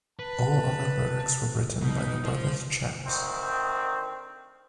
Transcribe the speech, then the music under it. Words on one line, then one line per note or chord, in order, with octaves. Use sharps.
All other lyrics were written by The Brothers Chaps.
B4 A5
B2 D#4
F4 C5
D2 D#3 C4